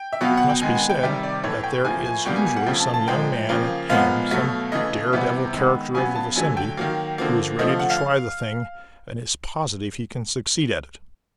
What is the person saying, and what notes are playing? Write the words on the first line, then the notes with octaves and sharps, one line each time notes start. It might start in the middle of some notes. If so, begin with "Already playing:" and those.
It must be said that there is usually some young man at hand, some dare-devil character of the vicinity, who is ready to try the thing and is positive he can succeed at it.
Already playing: G5
E5
B2 F#3 B3 F5
F#5
G5
D#3 G#3 B3 G#5
G#5
G5
C3 D#3 G3 E5
D5
A2 E3 A3 C#5
G5
A2 F3 A#3 G#5
G#5
B2 G3 A#3 G5
G#5
G#5
F#5
C#3 F3 A3 G5
A5
A5
A#2 F3 G#3 G5
C#3 F3 A#3
A#2 F3 G#3 B3 F5
B2 F#3 A3
C#3 E3 A3 D#5
C3 E3 G3 B3 E5
D#3 G#3 B3
C#3 F#3 B3 G#5
A5
D3 F#3 A3 G#5
G5
D#3 F#3 A#3
D3 F3 A#3
D3 F3 A3 D#5
F5
F#5
F5